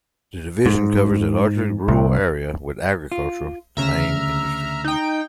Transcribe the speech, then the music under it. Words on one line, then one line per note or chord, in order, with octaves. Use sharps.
The Division covers a largely rural area, with agriculture the main industry.
G#2
C2
F4
D2 C#3 E5 A#5 F6
D#4 G5